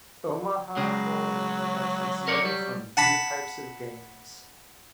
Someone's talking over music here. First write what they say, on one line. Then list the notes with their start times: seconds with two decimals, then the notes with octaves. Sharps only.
Omaha Hold'em gets its name from two types of games.
0.77 C#3 F#3 G#3
2.28 A#4 C#5 D5
2.45 G3
2.97 F#5 A5 B5